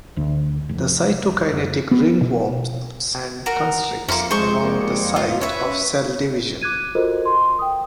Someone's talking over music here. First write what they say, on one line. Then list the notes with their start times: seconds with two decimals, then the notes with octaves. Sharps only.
The cytokinetic ring forms and constricts around the site of cell division.
0.17 D2
0.69 F1
1.52 F#1
1.91 B3
2.21 B2
3.46 F#4 A#4
4.08 F2 A#3 C#4 E5 A#5 C6 C#7
4.31 G#3 C5 C#6
4.62 G#2 G3 A#3
5.16 F4
5.41 C#4 B4 C#5 E5
6.62 D6 F#6 G#6 D#7
6.95 F4 F#4 A4 A#4 C5 D#5
7.25 C6
7.59 G5 D#6